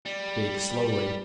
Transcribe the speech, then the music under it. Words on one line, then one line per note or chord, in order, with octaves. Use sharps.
Bake slowly.
G3